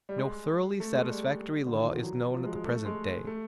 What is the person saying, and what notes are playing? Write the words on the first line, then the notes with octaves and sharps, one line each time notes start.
No thoroughly satisfactory law is known at the present day.
G3
G#3
A3
G#3
G3
D3
D#3
E3
F3
F#3
F3
G#3
G#3
A3
G#3
A3